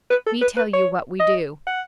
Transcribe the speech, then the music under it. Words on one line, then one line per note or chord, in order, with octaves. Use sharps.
Me tell you what we do.
B4
A4
B4
B4
C#5
D#5
F#5